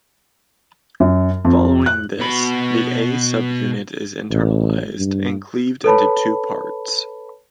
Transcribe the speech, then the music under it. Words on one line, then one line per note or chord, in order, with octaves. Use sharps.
Following this, the A subunit is internalised and cleaved into two parts.
F#2
F2
F#6
B2 B5
A1
G2
A4 B4 C#5 A5 B5